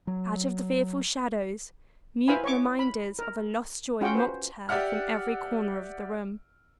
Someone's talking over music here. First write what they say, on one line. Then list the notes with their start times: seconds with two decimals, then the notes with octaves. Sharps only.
Out of the fearful shadows, mute reminders of a lost joy mocked her from every corner of the room.
0.07 F#3
2.28 E4 B4 C5 F5 G#5 B5
2.44 C#5 C#6 D6
2.79 B5
3.19 A#4
4.01 C#4 F4 F#4 F#5 G5
4.15 B4 C5
4.69 G4 D5 E5 F#5 F6